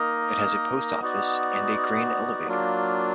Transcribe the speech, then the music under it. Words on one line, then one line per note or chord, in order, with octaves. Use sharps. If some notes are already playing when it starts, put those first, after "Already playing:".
It has a post office and a grain elevator.
Already playing: A#3 D#4 A#4 D#5
B3 D#4 F#4 D5
F#3 A#3 D4 F4